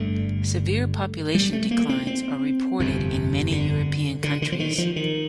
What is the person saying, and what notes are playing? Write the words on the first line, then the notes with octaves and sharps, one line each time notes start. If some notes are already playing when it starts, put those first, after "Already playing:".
Severe population declines are reported in many European countries.
Already playing: G1 G2 D3 A3
G3
A3
A#3
C4
C4
G1 F2 C3
D3
D3
D3
F3
D#3
F3
D#3